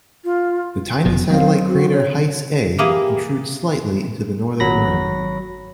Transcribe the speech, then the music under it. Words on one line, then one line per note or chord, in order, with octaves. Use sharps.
The tiny satellite crater Heis A intrudes slightly into the northern rim.
F4
F1 B2
F#3 C4 F5
F#4
C#5
E3 A#3 G4 G#4
G#1 F#3 B5 A#6